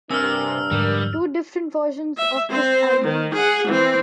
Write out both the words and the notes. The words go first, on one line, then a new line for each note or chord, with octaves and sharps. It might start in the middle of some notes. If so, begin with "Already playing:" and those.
Two different versions of this album exist.
G2 C3 D4 A#4 G#5 E6 F6
F2 G#2 D3 G3
E5
C4 C5
D#3
G#4 F#5
E3 C4